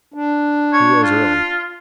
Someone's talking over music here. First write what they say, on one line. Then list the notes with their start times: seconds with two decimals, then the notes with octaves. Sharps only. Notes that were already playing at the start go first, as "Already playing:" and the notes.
He rose early.
0.14 D4
0.73 C#5
1.03 F4